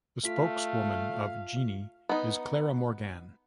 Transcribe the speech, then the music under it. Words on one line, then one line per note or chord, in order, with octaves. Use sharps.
The spokeswoman of Gini is Clara Morgane.
A3 F4 F5 B6
B3 D#4